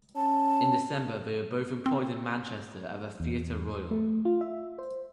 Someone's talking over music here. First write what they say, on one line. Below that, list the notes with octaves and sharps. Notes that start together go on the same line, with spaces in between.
In December they were both employed in Manchester at the Theatre Royal.
C#4 A5
C4
E2
A3
F4
E5
C5